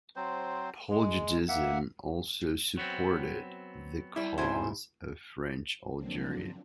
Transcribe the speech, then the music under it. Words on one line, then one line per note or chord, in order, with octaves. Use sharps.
Poujadism also supported the cause of French Algeria.
F#3 C4 C5
G#3
A#3 E5 F#5
F#3 B3 C4
G3 E4
G#2 C3 E4 C5 G#5
D3 F3 F#3 A#3 C4 D4